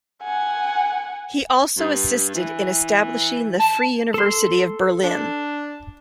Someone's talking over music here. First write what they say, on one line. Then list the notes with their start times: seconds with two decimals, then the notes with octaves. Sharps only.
He also assisted in establishing the Free University of Berlin.
0.23 F#5 G#5
1.78 G2
2.35 E3
3.59 A5
4.14 A4 C6
5.04 D4